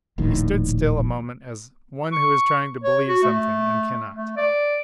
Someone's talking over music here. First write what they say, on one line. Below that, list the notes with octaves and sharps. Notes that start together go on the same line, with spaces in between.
He stood still a moment, as one who is trying to believe something and cannot.
D#1 A#1 A2 D#3
C#6
C#5
F#4
A3
A3
D5